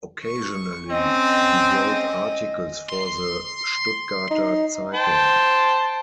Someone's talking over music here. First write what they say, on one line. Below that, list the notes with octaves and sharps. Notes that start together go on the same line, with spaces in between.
Occasionally, he wrote articles for the "Stuttgarter Zeitung".
C#6
C4 C#4 D#5
C6
D#4
C5 G5 A5